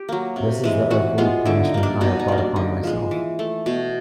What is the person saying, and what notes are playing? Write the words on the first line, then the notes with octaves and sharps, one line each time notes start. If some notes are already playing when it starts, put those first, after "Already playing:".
This is the earthly punishment I have brought upon myself.
Already playing: G4
F#3 A#3
C3
E3 G#3
E3 F#4
G#3 B3 F4
D3 E4
D#4
G3 A#3
D4
B2 D#4
D#4
G3 A#3
D4
D3 D#4
F3 G#3
E3
A3
B2